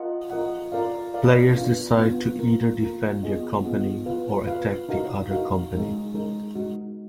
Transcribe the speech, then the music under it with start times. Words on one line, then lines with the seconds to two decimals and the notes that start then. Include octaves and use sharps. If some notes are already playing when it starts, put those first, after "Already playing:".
Players decide to either defend their company or attack the other company.
Already playing: F4 A#4 D#5 F#5
0.30 F4 A#4 D#5 F#5
0.72 F4 A#4 D5 F5
1.14 F4 A#4 D5 F5
1.56 B3 D4 F4 B4 F5
1.97 B3 D4 F4 B4 F5
2.39 A#3 F4 A#4
2.81 A#3 F4 A#4
3.23 B3 F4 G#4 D#5 F#5
3.64 B3 F4 G#4 D#5 F#5
4.06 F4 B4 F5
4.47 F4 B4 F5
4.89 D#4 F#4 A#4 F5
5.31 D#4 F#4 A#4 F5
5.72 G#3 D#4 A#4
6.14 G#3 D#4 A#4
6.55 G#3 D#4 F#4